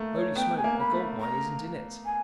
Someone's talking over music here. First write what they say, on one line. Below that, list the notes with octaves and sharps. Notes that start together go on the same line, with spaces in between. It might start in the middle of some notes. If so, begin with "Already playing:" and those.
Holy smoke, a gold mine isn't in it!
Already playing: A3 A#3
C#5
B3 G5
G#5
A#3
B5
A3
A#5
G#5